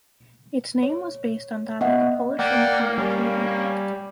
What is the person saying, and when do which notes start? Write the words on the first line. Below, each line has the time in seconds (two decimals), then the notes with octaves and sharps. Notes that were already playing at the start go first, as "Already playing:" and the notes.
Its name was based on that of the Polish independent trade union.
0.83 C#5
1.81 B3 D#5 E5 F#5
2.39 A#3 D5 F#5 G5
2.98 G3 C#4